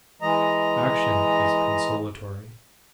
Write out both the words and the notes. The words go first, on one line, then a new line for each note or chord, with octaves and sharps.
Action is consolatory.
E3 G#3 D#5 A#5